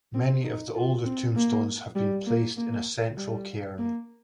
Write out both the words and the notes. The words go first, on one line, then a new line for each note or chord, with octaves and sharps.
Many of the older tombstones have been placed in a central cairn.
C4
D#4
F4
C4
A#3
G3
A#3
A#3
G3
A#3